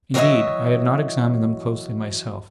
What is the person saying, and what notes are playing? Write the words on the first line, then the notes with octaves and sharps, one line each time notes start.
Indeed, I had not examined them closely myself.
E3 F#3 A#4 C#5 D#5 E5